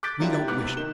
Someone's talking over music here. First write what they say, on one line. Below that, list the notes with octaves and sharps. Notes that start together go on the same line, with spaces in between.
We don't wish it.
D6 F#6 G6 A6 B6 D7
F#3 A#3 D4 E4 F4 G4
E4 G4
G#2 B3 D6 F#6
C3
D#3 E7 G7